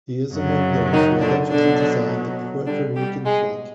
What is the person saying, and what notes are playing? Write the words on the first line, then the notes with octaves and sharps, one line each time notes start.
He is among those who allegedly designed the Puerto Rican flag.
F#2 C#3 F#3
D#3 D#4
D3 D4
B2 D3 F#3 D4
B2 D3 G3 D4
G3 G4
G#3 G#4